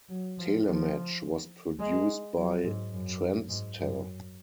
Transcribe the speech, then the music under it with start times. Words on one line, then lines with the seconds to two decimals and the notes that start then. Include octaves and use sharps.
Telematch was produced by Transtel.
0.09 F#3
0.38 F3
0.66 F3
1.79 G#3
2.36 F#3
2.64 G#2
2.93 F#2
3.48 G#2
3.78 F#2